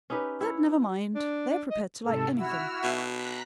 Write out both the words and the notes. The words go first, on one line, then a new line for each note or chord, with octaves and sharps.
But never mind; they are prepared to like anything.
C#4 D#4 G4 B4
E4 C#5
D4
D4
D#5
G#2 C3 A4
E4 F#4 E6 F6
B2
A#5 F#6 B6